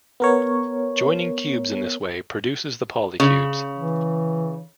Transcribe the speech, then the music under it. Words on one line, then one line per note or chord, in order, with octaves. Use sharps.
Joining cubes in this way produces the polycubes.
B3 A#4 C#5
C#3
E3